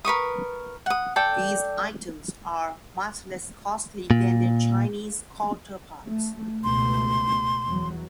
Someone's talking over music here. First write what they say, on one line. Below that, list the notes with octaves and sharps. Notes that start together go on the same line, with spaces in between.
These items are much less costly than their Chinese counterparts.
A#4 B4 C#6 D#6
F#5 D#6
A4 D5 G5
A#2
A3
C#2 B2 A3 C6
E2 F#3